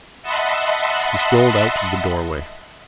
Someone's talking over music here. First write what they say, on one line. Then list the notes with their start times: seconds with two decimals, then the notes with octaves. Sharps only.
He strolled out to the doorway.
0.22 D#5 E5 F#5 A5 B5 C6